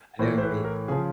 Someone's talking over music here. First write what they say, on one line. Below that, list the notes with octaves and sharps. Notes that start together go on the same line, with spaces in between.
I know what you mean.
A2 E3 C5
C5
B4
A#4
C#3 F3 G#4